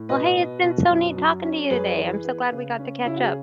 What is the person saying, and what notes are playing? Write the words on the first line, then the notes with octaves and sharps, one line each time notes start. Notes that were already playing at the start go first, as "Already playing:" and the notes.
Well, hey, it's been so neat talking to you today. I'm so glad we got to catch up.
Already playing: A2
B2 B4 D#5
B3
B2
F#2
F#3
C#4
F#2 G#4 B4
E3
B3
C#3
C#4
C#3 E4
F#4
G#4